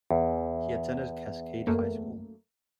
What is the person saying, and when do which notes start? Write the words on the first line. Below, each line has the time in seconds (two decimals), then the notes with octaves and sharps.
He attended Cascade High School.
0.11 E2
1.67 F#2 A3 A#3